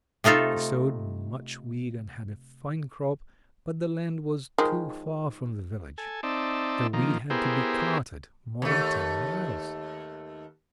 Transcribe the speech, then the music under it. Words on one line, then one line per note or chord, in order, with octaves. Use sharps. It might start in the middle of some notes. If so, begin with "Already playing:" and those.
He sowed much wheat and had a fine crop, but the land was too far from the village--the wheat had to be carted more than ten miles.
C3 A3 D#4 F4 A4
D#3 F3 G#3
A4 G#5
C4 D#4 D5 E5 A5
D#3 F3 A#3
B3 E4 G4 G#4 A#4 C5
D#2 A3